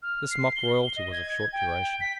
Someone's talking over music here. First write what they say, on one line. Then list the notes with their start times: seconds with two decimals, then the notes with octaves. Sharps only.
This mock royalty was of short duration.
0.03 F6
0.31 C7
0.56 G7
0.96 D#5
1.12 G#6
1.53 G5
2.01 B6